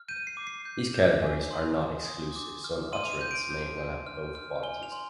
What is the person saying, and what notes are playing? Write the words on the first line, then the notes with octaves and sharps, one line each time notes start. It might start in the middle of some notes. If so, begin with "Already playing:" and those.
These categories are not exclusive, so an utterance may well have both qualities.
Already playing: F6
G6 D#7
C7
D6
C7
G6
G6
G#5
C6
D#6
D#6
D6
F6
C6 D#7
F7
D#7
G6
D7
G6
G6
F6
F6
G#5 G7
F7
C6